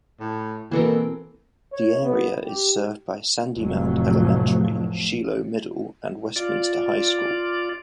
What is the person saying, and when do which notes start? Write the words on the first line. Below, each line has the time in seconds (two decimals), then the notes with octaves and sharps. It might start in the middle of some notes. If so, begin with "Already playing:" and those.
The area is served by Sandymount Elementary, Shiloh Middle, and Westminster High School.
0.20 A2
0.71 B2 E3 A#3 C4 A4 A#4
1.72 C#5
2.03 B3
2.44 G4
3.57 F1 F2 A2 F3 F#3
6.36 F4 D5